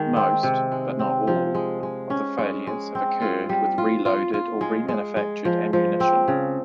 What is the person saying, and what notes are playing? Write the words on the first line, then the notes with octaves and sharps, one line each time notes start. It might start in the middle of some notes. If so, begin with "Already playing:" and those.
Most, but not all, of the failures have occurred with reloaded or remanufactured ammunition.
Already playing: D#3 G#3
C4
C3
G#3
C4
F3
G#3
G#3
C#4
G#3
G#3
C4
F4
G3
F4
F4
F4
G#3
G#3
G#3
F3
F3
C4
C#3